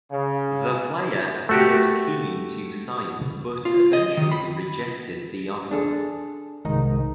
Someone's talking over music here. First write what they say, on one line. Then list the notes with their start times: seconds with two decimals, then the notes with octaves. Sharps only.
The player appeared keen to sign but eventually rejected the offer.
0.11 C#3
1.49 A3 F#4 G4
3.65 F4
3.93 D#5
4.17 D#3
4.32 B5
5.71 D4 G#4 A4
6.65 C2 G#2 D#3 D#4